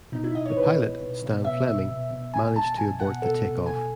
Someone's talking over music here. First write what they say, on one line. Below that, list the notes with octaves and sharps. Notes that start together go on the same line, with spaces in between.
The pilot, Stan Fleming, managed to abort the take-off.
B2 D#4
E4
B2 D#5
C#5
B2 B4
B2
B2
B2
B2 E5
B2
B2
B2
B2 G#5
B2 A5
B2 G#5
B2 F#5
B2 A4
B2
B2 G#5